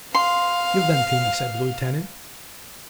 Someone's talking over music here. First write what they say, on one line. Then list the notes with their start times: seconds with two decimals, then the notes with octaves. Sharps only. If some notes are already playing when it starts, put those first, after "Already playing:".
"Give them to me," said the Lieutenant.
0.15 F5 C6